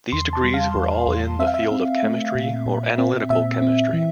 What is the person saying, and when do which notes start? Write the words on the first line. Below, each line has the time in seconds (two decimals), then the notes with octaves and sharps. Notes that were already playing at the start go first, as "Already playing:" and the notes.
These degrees were all in the field of chemistry or analytical chemistry.
0.12 E2 C6
0.33 A5
0.44 G3
0.54 F5
0.75 E2
1.07 E2
1.39 C4 E5
1.47 F5
1.54 E5
1.71 C4
2.03 A3
2.35 A#2
2.66 A#2
2.98 C4
3.30 A#2 E5
3.62 C4
3.93 E3